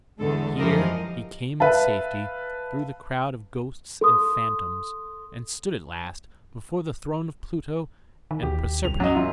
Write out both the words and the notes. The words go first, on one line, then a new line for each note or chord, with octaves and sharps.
Here he came in safety through the crowd of ghosts and phantoms, and stood at last before the throne of Pluto and Proserpina.
E2 D3 G#3 A4
F#2 E3 F3 G4 A#4 D#5
B4 E5 F5 A5
A4 C6 D#6
D#3
D#2 G4
C2 F7
F#3 C#4 D#5
F#2 F4